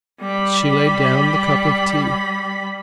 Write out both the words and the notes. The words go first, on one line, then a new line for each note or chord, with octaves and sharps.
She laid down the cup of tea.
G3 B5